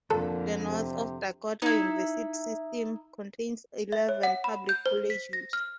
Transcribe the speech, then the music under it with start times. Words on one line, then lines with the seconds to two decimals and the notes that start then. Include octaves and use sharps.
The North Dakota University System contains eleven public colleges.
0.11 F2 A#2 D3 A4
0.68 C3
1.62 D#4 E4
3.92 E5
4.09 C#5
4.23 F#5
4.44 B5
4.69 G6
4.86 C5
5.10 B6
5.33 A#6
5.53 F6